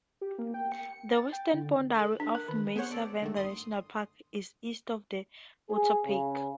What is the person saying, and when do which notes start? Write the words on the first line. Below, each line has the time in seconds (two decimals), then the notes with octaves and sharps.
The western boundary of Mesa Verde National Park is east of Ute Peak.
0.21 G4
0.38 A#3
0.54 G5
0.72 C#7
1.11 A6
1.33 G5
1.53 D3
1.99 A4
2.20 D4
2.35 A#4
2.48 D#3
2.75 B3 G#4 C5 C#5 F#5
2.91 A4 D5
3.22 D3 D#3 A3
3.36 G1 C6 D#6
5.70 G#4
6.05 C#3